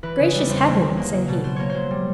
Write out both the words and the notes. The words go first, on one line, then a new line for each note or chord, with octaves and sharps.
"Gracious Heaven!" said he.
E3 B4
C#3
G3
E2 C5
E3
C#3
A#3
F#3
B2
B2 C5
A#3 C#5
F#3 C5
G3